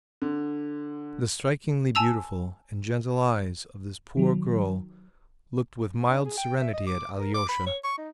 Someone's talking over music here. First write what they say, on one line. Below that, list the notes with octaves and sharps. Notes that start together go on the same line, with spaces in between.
The strikingly beautiful and gentle eyes of this poor girl looked with mild serenity at Alyosha.
D3
G#5 A5 E6 F7
D#3 F#3
D4
G#4
G5
E5
D#5
D6
A#4
D6
B5
C#5
C#6
D#4